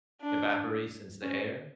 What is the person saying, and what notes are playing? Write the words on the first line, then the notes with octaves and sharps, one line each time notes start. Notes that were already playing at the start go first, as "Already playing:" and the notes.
evaporates into the air.
D4
C#4